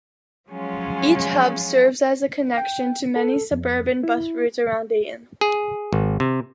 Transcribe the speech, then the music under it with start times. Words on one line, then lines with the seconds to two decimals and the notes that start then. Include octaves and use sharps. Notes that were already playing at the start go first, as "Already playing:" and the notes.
Each hub serves as a connection to many suburban bus routes around Dayton.
0.49 F3 F#3 G#3 C#4 F4
2.57 G5
3.16 A4
3.51 F2
4.03 E4
5.41 G#4
5.93 G#1
6.20 C3